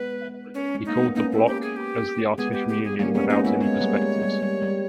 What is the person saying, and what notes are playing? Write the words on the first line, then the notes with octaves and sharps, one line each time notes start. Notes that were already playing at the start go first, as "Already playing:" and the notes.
He called the "block as the artificial union without any perspectives".
Already playing: G#3 B3 B4
C#4
G#3
A#3 D#4
B3
A#3 C#4 D#4
E4
G4
G#4
G4
G#3 B3 G#4
G4
G4
G#4
G3 A#3 C#4
G#3 B3 C#4
A#3 C#4 D#4
G#3 B3 E4
G#3 B3 C#5
G3 A#3
G#3
G3
G3
G3